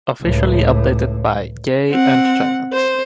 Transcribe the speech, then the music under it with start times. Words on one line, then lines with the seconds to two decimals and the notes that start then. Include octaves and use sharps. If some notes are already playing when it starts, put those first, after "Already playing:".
Officially updated by J Entertainment.
0.21 C#2 A2
1.91 C4 F#5
2.73 C5